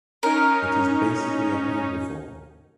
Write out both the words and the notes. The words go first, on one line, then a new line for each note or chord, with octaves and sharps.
It is basically a herbivore.
C#4 D#4 A#4